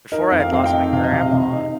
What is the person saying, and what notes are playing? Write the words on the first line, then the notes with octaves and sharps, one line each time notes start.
before I'd lost my grandma
D#4 A#4
F2
F5
F2 F5
G5
D#4
C3 F5
D#5
C3 F5
C3
D#4